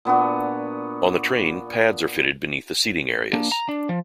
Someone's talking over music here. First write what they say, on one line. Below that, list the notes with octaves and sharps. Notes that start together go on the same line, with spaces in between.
On the train, pads are fitted beneath the seating areas.
A#2 B3 D4 F#4
A#3 D4
A#5
D4
F3